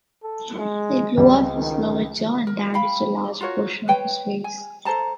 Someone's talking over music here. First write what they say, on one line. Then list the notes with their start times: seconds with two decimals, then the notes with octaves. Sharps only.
It blew off his lower jaw and damaged a large portion of his face.
0.23 A4
0.59 G#3
1.18 C#2 G3
1.55 D#3
2.47 A#4
2.74 F5 G5 B5
3.41 F4 F#4 A#4 C#5
3.88 B4 C#5 G5
4.44 G#5
4.85 A4 C5 A5 A#5